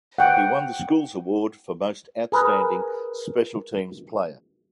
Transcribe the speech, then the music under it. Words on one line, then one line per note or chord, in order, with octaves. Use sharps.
He won the school’s award for Most Outstanding Special Teams Player.
F#5 G5
G#4 A#4 B4